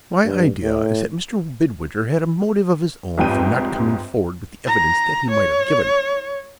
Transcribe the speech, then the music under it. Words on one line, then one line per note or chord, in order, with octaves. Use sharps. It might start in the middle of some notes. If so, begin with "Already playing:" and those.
My idea is that Mr. Midwinter had a motive of his own for not coming forward with the evidence that he might have given.
G2
A2
G1 F2 G#2 G3 G5 D#7
A#5
C#5